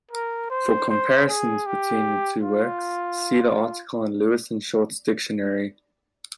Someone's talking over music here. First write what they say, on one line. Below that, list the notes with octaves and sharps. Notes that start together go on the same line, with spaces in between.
For comparisons between the two works, see the article on Lewis and Short's dictionary.
A#4
C5
C5
G#4
G4
F4